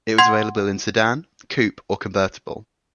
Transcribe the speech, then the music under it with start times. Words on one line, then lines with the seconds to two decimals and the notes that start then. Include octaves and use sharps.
It was available in sedan, coupe or convertible.
0.18 F#5 C6 G#6